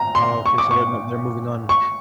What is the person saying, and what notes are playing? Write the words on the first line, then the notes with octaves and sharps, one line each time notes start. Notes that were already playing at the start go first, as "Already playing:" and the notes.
Okay, so they're n they're moving on.
Already playing: A#5
C6
C#6
D6
C#6
C#6